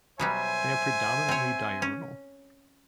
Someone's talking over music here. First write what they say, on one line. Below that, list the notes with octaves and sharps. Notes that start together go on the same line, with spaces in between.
They are predominantly diurnal.
B2 F#3 G3 C5 E5 G#5
C4 C#5
C#4